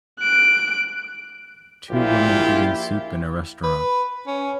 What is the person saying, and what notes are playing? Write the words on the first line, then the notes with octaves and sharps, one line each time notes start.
Two women eating soup in a restaurant.
F#6 D7
A#1 A#2 E4 F4 G4
B4
C#4